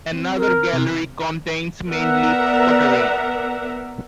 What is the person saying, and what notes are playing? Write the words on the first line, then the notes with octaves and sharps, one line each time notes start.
Another gallery contains mainly pottery.
C4
A#4
C3
B3 A#4 D5 E5 F#5 A#5